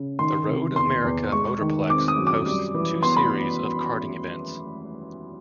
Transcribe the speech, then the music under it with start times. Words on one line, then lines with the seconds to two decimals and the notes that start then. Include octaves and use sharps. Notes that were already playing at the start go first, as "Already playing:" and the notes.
The Road America Motorplex hosts two series of karting events.
Already playing: C#3
0.19 D#3 C6
0.47 C3
0.76 E2 C6
1.04 E2
1.32 G#3 C#6
1.61 D#3
1.90 C4 D6
2.08 D#6
2.18 F#2
2.27 D6
2.46 G3
2.74 E3
3.03 B3 C6
3.17 B5